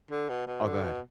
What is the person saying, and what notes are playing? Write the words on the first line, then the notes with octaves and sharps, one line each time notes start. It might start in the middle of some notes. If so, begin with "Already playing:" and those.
Oh, go ahead.
D3
B2
B2
D3
B2